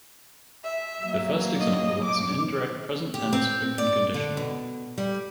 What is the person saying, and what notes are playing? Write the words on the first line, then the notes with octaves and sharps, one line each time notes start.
The first example is an indirect present tense open conditional.
E5
F#3 A#3
D#5
D6
G4
C4
D5
D3
B2
G3